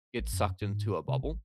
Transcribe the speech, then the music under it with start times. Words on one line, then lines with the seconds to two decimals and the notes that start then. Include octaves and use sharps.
get sucked into a bubble.
0.19 A1
0.33 F#2
0.61 G#2
1.08 C3
1.23 G#1